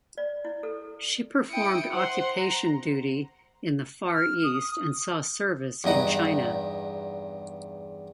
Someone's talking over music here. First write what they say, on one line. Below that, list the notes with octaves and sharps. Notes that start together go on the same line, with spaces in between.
She performed occupation duty in the Far East and saw service in China.
D5
E4
A4
E4 G5 D#6 C#7 D7
C5 F#5 C6
A#5
F6
D#6
E2 G2 D#4 F#5